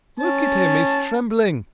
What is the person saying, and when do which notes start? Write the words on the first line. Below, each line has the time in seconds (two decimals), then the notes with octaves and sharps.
Look at him, he's trembling!
0.19 C#4 A5